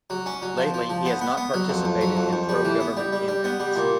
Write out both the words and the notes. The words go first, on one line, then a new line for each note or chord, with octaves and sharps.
Lately, he has not participated in pro-government campaigns.
F#3
C#4
F#3
F3
F3
F3
B3
B3
B3
F#3
F2
F2
F#3
F2
F2
G3
E3
B3
G3
G3
G3
B3
G3
A#2